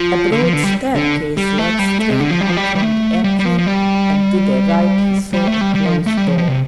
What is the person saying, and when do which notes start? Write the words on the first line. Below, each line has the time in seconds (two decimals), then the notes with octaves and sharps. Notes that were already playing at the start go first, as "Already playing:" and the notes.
A broad staircase led straight up from the entry, and to the right he saw a closed door.
Already playing: F3
0.32 D3
0.43 F3
0.53 D3
0.64 G3
0.96 D3
1.37 G3
1.58 A3
1.79 G3
1.99 A3
2.10 C3
2.20 D3
2.31 F3
2.41 G3
2.49 F3
2.57 G3
2.75 G3
2.82 A3
3.24 G3
3.39 G3
3.45 F3
3.58 F3
3.67 G3
5.33 G3
5.47 A3
5.61 G3
5.75 G3
5.85 F3
6.06 A3
6.17 G3
6.27 F3
6.38 F3
6.48 C3